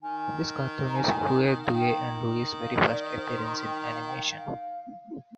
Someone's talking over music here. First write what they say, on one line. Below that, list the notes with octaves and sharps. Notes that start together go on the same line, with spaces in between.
This cartoon is Huey, Dewey, and Louie's very first appearance in animation.
D#3 G#5
A#5
G#5
G5
G#5
F5
D#3 G5
F5
D5
C5
C6
A#5
G5
D#5
F5
F5
G5
F5